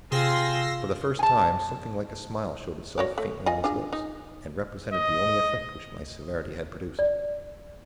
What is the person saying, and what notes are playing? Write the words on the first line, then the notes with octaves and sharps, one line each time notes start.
For the first time, something like a smile showed itself faintly on his lips--and represented the only effect which my severity had produced.
C3 C4 F4 G#4 C6 E6 A#6
G#5 A5
F#4 C#5 D5
A3
F4 D#5 G#5
D4 F4 G#4
D#4
D#5
D5